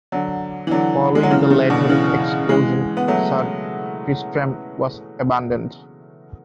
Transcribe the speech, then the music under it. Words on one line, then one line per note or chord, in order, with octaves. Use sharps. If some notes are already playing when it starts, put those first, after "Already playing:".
Following the later explosion, "Sir Tristram" was abandoned.
D3 F#3
E3
D3 F#3
G#3
F#3
C#3 E3
C#3
B2 D3
C#3 E3
E3 G#3
B3
F#3 A3